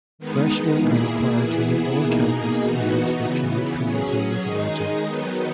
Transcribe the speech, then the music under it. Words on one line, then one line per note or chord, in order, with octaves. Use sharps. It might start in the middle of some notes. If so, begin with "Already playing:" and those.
Freshmen are required to live on-campus, unless they commute from their home of origin.
D#3 G#3 B3 D#4
A#2 A#3 E4 G#4
E3 B3 E4 G#4
B2 A#3 D#4 G#4
E3 B3 D#4 F#4
C#3 E3 B3
F#3 C#4 G#4
D#3 G#3 D#4 G#4
D#3 F#3 B3 D#4